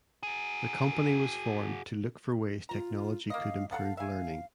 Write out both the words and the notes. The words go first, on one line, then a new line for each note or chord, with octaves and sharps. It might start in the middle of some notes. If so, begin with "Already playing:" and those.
The company was formed to look for ways technology could improve learning.
F#4 G#4
F4 A#5
A#3 D#5 F5
A4 F5 F#5 A5
E5 F5 G#5